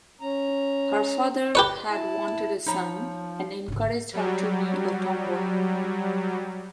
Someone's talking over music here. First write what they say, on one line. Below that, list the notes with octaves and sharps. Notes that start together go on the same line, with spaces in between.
Her father had wanted a son, and encouraged her to be a tomboy.
C#4 A#5
G4 B4 C#5
E4 A5
F3 D#4 C#5 A#5 B5
G#1 D3
F#3 G3